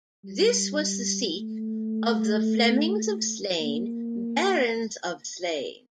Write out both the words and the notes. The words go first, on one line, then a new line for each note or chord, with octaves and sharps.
This was the seat of the Flemings of Slane, barons of Slane.
G3
A3
A#3